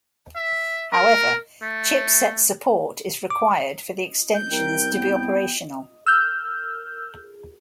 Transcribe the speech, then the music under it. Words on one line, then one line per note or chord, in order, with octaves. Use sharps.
However, chipset support is required for the extensions to be operational.
E5
A#4
A3
D6
G6
C2 A#4 G5
B3 G5
E6 F6 G6